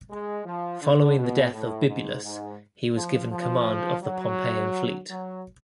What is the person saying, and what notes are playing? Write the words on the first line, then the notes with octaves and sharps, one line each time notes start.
Following the death of Bibulus he was given command of the Pompeian fleet.
G#3
F3
D3
B2
A2
G#2
G#2
F3
F3
F#3
F#3